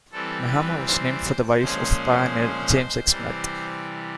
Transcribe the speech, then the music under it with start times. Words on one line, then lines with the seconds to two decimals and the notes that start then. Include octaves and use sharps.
Mehama was named for the wife of pioneer James X. Smith.
0.12 E3 G3 C4 A4
0.49 B4
0.86 C5
1.59 A#2 F3 G#3 C#4 C5
3.07 C3 E3 G3